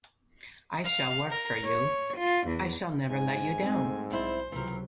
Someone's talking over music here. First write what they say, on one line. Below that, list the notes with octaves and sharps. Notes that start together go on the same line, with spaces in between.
I shall work for you, I shall never let you down.
F5
A#4
C#5
F4
E2
G#2 G#5
A3 C4
B1 G3 C4 E4 C5
C#2 C3 E3 F#3 A#4